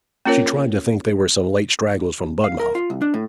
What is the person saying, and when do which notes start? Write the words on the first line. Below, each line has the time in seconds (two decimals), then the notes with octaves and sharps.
She tried to think they were some late stragglers from Budmouth.
0.25 A#3 C#4 F4 A#4 C#5
2.44 F5
2.60 A#4
2.75 F4
2.90 C2
3.02 D4
3.14 A2